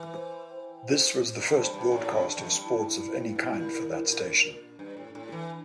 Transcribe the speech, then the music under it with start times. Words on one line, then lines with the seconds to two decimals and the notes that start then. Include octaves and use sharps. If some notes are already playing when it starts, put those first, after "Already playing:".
This was the first broadcast of sports of any kind for that station.
Already playing: E3
0.12 C5
0.48 G5
0.84 C5
1.20 C5
1.38 A#2
1.56 G2 A5
1.74 G2
1.91 A2 F5
2.10 G2
2.28 G2 A5
2.37 F2
2.46 G2
2.64 E4
2.99 F5
3.35 G2 E4
3.53 A#2
3.72 A#2 A#4
3.89 G2
4.07 A#2 D4
4.43 D4
4.79 G2 D4
4.97 A2
5.15 A2 D4
5.32 E3